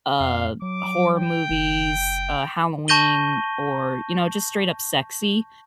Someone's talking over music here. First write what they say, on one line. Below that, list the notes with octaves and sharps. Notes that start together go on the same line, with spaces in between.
uh, horror movies, uh, Halloween, or, you know, just straight up sexy,
F2 F5
F#3 D6
G5
F#1
A5 C#6 G6 A#6 D#7 G7